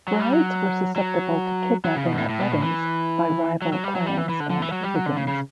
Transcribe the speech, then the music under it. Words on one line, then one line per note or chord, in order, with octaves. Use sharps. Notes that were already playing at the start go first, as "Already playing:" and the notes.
Brides were susceptible to kidnapping at weddings by rival clans and hooligans.
F#3
G3
F#3
F#3
F#3
C#3
B2
G2
A2
A2
B2
A2
E3
F#3
F#3
G3
F#3
G3
E3
E3
D3
D3
E3
F#3
G3
F#3
D3
C#3
C#3